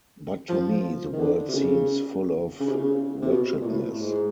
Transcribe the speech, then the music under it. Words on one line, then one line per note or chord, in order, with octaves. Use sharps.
But to me the world seems full of wretchedness.
F3
D#3
D3
C3
C#3
C#3
C3
C#3
C3
B2
A#2
A2
A2
G#2